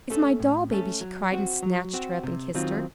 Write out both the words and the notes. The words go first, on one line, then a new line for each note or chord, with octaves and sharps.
"It's my doll-baby!" she cried, and snatched her up and kissed her.
A3 C#4 A4
A2
A3 C#4 A4
F#3
C4 F#4
F#3
C4 F#4
C3
D#3 F#3 C4 F4